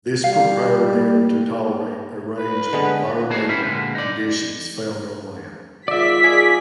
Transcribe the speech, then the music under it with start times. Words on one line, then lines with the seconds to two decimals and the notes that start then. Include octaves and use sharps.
This prepared them to tolerate a range of environmental conditions found on land.
0.24 G3 F5
0.95 A#3
2.37 B4
2.73 D3 G#3 B3
3.30 D#4 F#4 G#4 C5 A5
3.49 B3 C#4 E4 G4
3.64 A#2 D3 G#3 B3
3.95 D#4 D5
5.88 D#3 G#3 F4 D5 E5 B6
6.24 G#4 D5 G#5